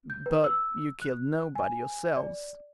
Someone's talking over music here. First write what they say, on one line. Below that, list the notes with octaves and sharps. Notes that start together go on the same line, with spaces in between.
"But you killed nobody yourselves?"
G6
B4
E6
F#6
G#5
D5